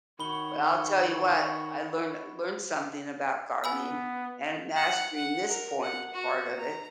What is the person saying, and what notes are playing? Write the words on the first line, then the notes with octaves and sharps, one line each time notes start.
but I'll tell you what I learned learned something about gardening and mastering this point part of it,
D#3 F#4 C#5 B5 G7
B3 G#5 B5 E6
F#5
F#5
A#4
F#5
F#4
A#5